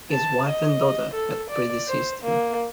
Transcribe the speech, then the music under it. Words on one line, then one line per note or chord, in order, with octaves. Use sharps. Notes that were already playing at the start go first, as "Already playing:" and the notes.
His wife and daughter had predeceased him.
A5
D#5
A4
D5
C5
A#3